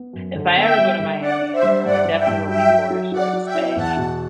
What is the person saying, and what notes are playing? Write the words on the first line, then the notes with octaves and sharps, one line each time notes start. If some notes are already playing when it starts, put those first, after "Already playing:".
if I ever go to Miami, it definitely will be for a short stay.
Already playing: B3
F#2
D3
B3 E5 G5
G3
D3
D4 D5 F#5
D4
C5 E5
G3
G2 D5 F#5
G3
E5 G5
G2
F#3 E5 G5
F#3
F#3
F#3 D5 F#5
F#3
E5 G5
E4
E2 F#5 A5
B2